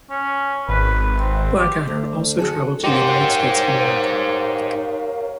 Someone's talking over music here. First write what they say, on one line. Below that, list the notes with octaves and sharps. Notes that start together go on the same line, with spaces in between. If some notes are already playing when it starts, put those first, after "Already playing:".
Blackadder also traveled to the United States of America.
C#4
G#1 B4
C4
G4
D2
F#4 G#4 A4
D#4 G4 A#4 C5 C#5 F5 F#5